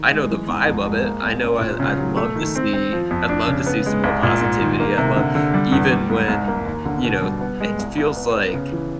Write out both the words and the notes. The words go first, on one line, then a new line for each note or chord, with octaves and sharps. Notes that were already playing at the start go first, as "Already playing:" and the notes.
I know the vibe of it, I know I I'd love to see I'd love to see some more positivity, I'd love even when, you know, th it feels like
Already playing: D#3
G#3
E3
G#2
F2
G#3
A#3
C2
C#4
A#2
C#3
F#3
A3
D#3
C4
C4
F3
F2
D4
C#3
B3
G#3
C2
A#2
G#2
D#3
A#3
C3
D3
D3
G3
E2
G3
G#2
C2
A#3
D#2
D3
B2
G3
B3
G#3
C2
C2
B3
B3
C#3
E3